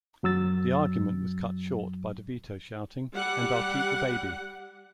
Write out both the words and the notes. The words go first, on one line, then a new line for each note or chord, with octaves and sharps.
The argument was cut short by DeVito shouting ...And I'll keep the baby!
F#2 F#3 E6 A6
G3 F#5